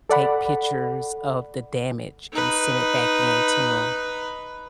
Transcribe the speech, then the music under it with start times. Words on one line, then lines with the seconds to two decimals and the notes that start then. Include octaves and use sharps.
take pictures of the damage and send it back in to 'em.
0.10 A4 D5 F#5 B5
2.33 D#4 B4